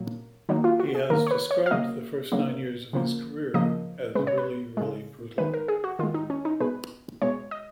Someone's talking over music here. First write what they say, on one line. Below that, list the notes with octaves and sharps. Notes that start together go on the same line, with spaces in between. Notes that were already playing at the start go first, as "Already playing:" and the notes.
He has described the first nine years of his career as really, really brutal.
Already playing: A#2 F#3 A#3
D#3 F#3 A#3 D#4
F4
F#4
G#4
D#3 F#3 A#3 A#4
C#5
B4
C#5
F5
C#3 F#3 A#3 D#5
C#3 F#3 A#3
C#3 F3 A#3
C#3 F3 A#3 D#5
C#3 G#3 B4
C#5
B4
C#3 G#3
D#3 G#3 B4
A#4
G#4
F#4
D#3 G#3 F4
D#4
C#4
D#4
B2 G#3 B4
B2 G#3 C#5
D#5